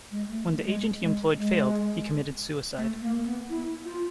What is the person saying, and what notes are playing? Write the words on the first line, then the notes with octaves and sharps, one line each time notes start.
When the agent he employed failed, he committed suicide.
G#3
A3
A3
G#3
G#3
G#3
A3
A#3
B3
E4
F4